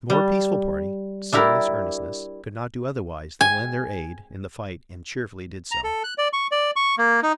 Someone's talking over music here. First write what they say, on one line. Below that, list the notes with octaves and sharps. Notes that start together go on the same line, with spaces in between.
The more peaceful party, seeing this earnestness, could not do otherwise than lend their aid in the fight and cheerfully did so.
G3
D4 E4 G4 A#4
G#5
A#5
A4
F#6
D5
C#6
D5
C#6
A#3
D#4